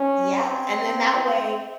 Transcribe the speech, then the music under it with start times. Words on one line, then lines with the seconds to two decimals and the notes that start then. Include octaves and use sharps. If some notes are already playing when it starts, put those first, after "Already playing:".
Yeah, and then that way
Already playing: C#4
0.41 C4